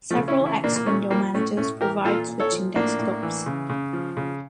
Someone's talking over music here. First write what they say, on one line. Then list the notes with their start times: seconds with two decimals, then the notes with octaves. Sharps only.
Several X window managers provide switching desktops.
0.10 F3 A3
0.17 C#3
0.28 C#4 E4
0.41 E3
0.46 C#4 E4
0.64 A#2 A#3 D4
0.76 A#3
0.86 A#2 A3 C#4
1.10 F3 G3 A#3
1.34 A2 A3 C#4
1.57 A2 A3 C#4
1.81 E3 G4 A#4
2.04 A#2 F4 A4
2.28 A#2
2.40 A4 C#5
2.52 F3
2.75 A2 A#3 D4
2.99 A2
3.23 E3
3.46 C#3
3.70 C#3
3.93 F3
4.17 C#3